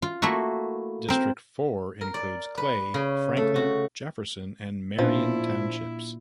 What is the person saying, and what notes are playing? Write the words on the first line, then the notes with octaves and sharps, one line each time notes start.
District Four includes Clay, Franklin, Jefferson, and Marion Townships.
F4
A3 A#3 E4 F#4
C4 A#4
A#4
D5
B4
C#3
A3
F#4
A#2 F3 C#4 D4 E4 F4